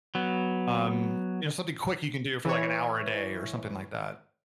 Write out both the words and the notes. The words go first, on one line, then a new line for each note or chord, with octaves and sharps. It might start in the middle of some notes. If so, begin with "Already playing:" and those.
um, you know, something quick you can do for, like, an hour a day or something like that.
F#3 B3
E3 C#5